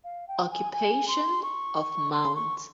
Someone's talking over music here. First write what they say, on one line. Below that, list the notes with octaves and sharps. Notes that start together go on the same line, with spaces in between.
Occupation of Mt.
F5
G5
G#5
G#5
C6
C#6
C6
C#6